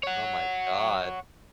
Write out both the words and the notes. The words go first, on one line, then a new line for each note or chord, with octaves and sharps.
Oh my god.
C#5 F#5